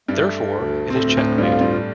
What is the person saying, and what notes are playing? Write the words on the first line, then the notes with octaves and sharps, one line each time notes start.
Therefore, it is checkmate.
G2 G3 A3
D2
C4
D2 A2 A3
A2 A3
G2 G3 F4
A3
G2 G3